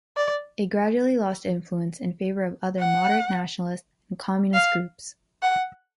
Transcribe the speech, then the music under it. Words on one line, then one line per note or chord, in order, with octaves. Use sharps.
It gradually lost influence in favor of other moderate nationalist and communist groups.
D5
F#5
F5
F#5